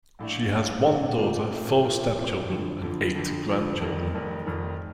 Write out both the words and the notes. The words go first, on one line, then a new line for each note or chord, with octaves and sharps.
She has one daughter, four stepchildren and eight grandchildren.
A#1 A2 A3 D4
A#1 A2 A3 D4
A#1 A2 A3 D4
A#2 F3 A3 C4 F4
A#2 F3 A3 C4 F4
A#2 F3 A3 C4 F4
A#2 F3 A3 C4 F4
F2 D3 F3
F2 D3 F3
F2 D3 F3
F2 D3 F3
F1 F2 D#3
F1 F2 D#3
F1 F2 D#3